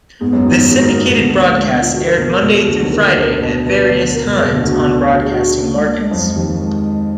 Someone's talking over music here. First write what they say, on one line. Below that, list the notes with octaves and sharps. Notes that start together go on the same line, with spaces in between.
The syndicated broadcasts aired Monday through Friday at various times on broadcasting markets.
G#2 G#3 B3
F#2 F#3
D#2 D#3
F#2 F#3
G#2 G#3
A#2 A#3
A#2 A#3
G#2 G#3
D2 D3 B3
B3
A#3
G#3
B3
F4
F#4
A#4
B2
B2
D2 D3 G#4
D#2 D#3
A#4
D2 D3
D2 D3
B2
B2 B4
D2 D3
A#4
B2 A#4
B2 G#4
D2 D3
D2 D3 F#4
B2
D2 D3
F#4
G#4
F#4
A#3
G#3
A#3
G#3
F2 F3 F#3
G#3
D#2 D#3 F3
F3
G#3